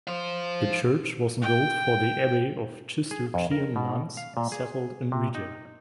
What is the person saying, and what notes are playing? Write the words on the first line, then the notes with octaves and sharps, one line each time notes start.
The church was built for the abbey of Cistercian nuns settled in Riga.
C5 F5
G5
G#4
F2
A#4
B2
F5
A#2
G#4
C3
D#4